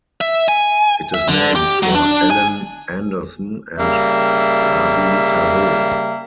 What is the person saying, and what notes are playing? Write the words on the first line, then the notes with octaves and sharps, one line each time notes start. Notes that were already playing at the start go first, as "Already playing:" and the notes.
It is named for Ellen Andersen and Rabi Tawil.
E5
G#5
E5
D3
G4
F#3
D4
G#5
C#3 G3 A#3 E5